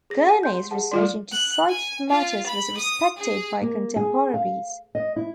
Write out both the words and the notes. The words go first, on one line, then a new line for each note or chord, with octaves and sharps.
Gurney's research into psychic matters was respected by contemporaries.
G#4 A#6
F#5 D#7
C6 G6
G#4 F#5 A5
G3 F4 D5 C6
F#6
G#5
F4
B5
D#6
G#4
A#3
G#4
F5
D#5
E4